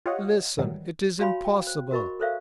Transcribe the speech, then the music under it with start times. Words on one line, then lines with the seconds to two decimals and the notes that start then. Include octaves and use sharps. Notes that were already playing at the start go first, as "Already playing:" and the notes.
Listen--it is impossible!
0.06 F4 G4 C#5 D#5 F#5
0.58 G#2 D#3 E3 F#3 G3
1.19 F#4 C#5 F5 G#5 B5 C6
1.45 G5
1.67 C5
1.91 F#4 A#4 D#5 B5 C#6
2.20 A4 A#4 C5 D5 E5 F5